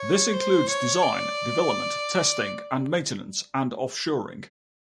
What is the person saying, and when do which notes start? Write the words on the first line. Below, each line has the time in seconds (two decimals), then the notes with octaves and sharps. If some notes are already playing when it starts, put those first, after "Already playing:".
This includes design, development, testing and maintenance, and off-shoring.
Already playing: C#5
0.33 C5
0.69 C#5
1.03 D5